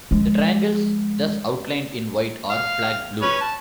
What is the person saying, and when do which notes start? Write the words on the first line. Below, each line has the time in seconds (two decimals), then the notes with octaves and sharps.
The triangles thus outlined in white are flag blue.
0.11 F3 G#3
2.50 F5
3.22 C#4 B4 C#5
3.41 A5